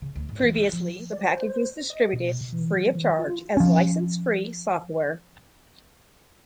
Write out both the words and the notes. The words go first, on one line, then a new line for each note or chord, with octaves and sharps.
Previously the package was distributed free of charge as license-free software.
C#3
D2
G#2
E3
E4
F3
D5
C5
D#5
B2
E3
F#3
E3
F4
F3 C#4